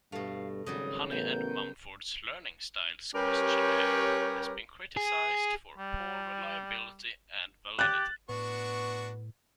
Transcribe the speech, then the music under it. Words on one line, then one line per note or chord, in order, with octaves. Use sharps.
Honey and Mumford's learning styles questionnaire has been criticized for poor reliability and validity.
G2 B2 A3 F5
G#1 C#3 F#3 G3 D#6
A1 B3 A#4 G6
G3 C#4 G4 A#4 B4 C#5
G#4
G3
G4 F#6 A6
A2 B3 D4 F#4 C#6